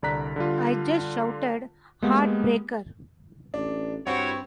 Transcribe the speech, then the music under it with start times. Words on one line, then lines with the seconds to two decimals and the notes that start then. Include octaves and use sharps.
I just shouted, 'Heartbreaker!
0.02 C2 D3 D5 A#5 F#6 B6
0.36 D3 G3 F4
2.02 G#3 A#3 B3 G4 F#5
3.54 A1 D4
4.07 G2 C4 E4 F#4 C#5